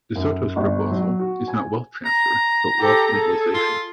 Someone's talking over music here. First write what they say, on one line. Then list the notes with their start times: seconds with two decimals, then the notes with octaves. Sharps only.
De Soto's proposal is not wealth transfer, but wealth legalization.
0.15 F#2
0.56 G1
0.91 F#3
1.19 F#4
1.48 G#5
2.05 A#5
2.80 G4 A4
3.13 G#4 A4
3.54 F4